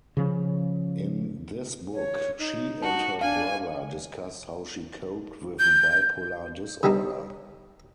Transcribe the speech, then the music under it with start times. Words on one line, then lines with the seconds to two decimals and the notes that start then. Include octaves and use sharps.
In this book she and her brother discuss how she coped with bipolar disorder.
0.17 C#3 F3 C#4
1.94 C#5
2.39 D#4
2.82 F#4 A5
3.21 D4 F5 G#5
5.59 G6
6.83 D3 G3 B3 D4 D#4